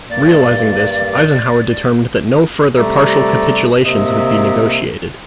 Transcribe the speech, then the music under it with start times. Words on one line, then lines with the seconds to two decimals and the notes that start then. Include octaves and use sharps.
Realising this, Eisenhower determined that no further partial capitulations would be negotiated.
0.10 G2 A#3 D5
2.78 C3 G3 A3 D5 A#5
3.85 C3 A#3 D#5 E5